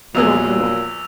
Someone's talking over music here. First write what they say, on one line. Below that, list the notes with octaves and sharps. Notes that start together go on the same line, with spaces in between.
Little girl.
A#1 E2 A#2 F#3 G#4 E6 F7